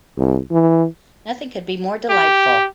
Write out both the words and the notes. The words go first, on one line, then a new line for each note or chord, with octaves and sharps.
Nothing could be more delightful!
C2
E3
G4